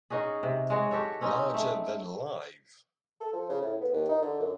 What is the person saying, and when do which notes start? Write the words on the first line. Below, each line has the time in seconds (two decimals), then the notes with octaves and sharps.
Larger than Live.
0.10 C#4 D#4 F#4 G#4
0.43 C3
0.70 G#3 F#4 C#5
0.91 F#4 G4 A4 C#5
1.21 C4 C#4 D#4
1.54 A3
3.21 A4
3.33 F3
3.49 C#3
3.62 A2
3.80 B3
3.93 D#2
4.09 D#4
4.22 D3
4.40 F#2